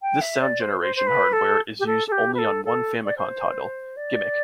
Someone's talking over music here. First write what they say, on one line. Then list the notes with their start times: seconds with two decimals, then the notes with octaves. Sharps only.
This sound generation hardware is used on only one Famicom title: "Gimmick!".
0.02 G5
0.21 E5
0.40 D5
0.60 C5
0.80 C5
0.95 C5
1.06 B4
1.32 A4
1.79 G4
1.86 A4
2.07 A4
2.12 G4
2.34 B4
2.38 A4
2.64 A4
3.05 D5
3.17 C5
3.96 D5